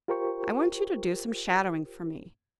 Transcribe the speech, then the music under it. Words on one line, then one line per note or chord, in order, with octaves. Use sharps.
"I want you to do some shadowing for me."
F4 G4 A#4 C5 G5 C#6